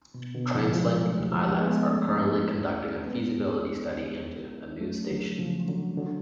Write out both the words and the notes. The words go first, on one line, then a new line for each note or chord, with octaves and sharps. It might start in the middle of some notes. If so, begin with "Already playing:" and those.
Translink and Ilex are currently conducting a feasibility study into a new station.
B2
B2 D3
C#3 F3
F3 G#3
F#3 A3
F3 G#3
G#3 B3
A3 C#4
G#3 B3
F#3 A3
D3 F#3
C#3 F3
D3 F#3
D3 F#3